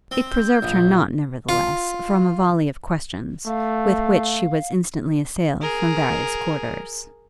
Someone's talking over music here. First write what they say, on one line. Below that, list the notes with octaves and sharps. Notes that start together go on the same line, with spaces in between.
It preserved her not, nevertheless, from a volley of questions, with which she was instantly assailed from various quarters.
C4
G6
A#1
F4
A3 F5
G#4 A#4